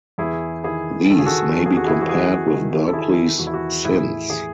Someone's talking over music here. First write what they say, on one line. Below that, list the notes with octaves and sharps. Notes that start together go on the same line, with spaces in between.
These may be compared with Berkeley's "Sins".
E2 E4 G#4
D#3 E4 G#4
D#3 A4
G#4
F#4 A4
E2 A4
G#4
F#4
E4 G#4
E2 F#4
G#4
F#4
D#3
A4
D#3 E4 G#4
E2 F#4
E4
F#4
A2 E4 G#4
E3 E4 G#4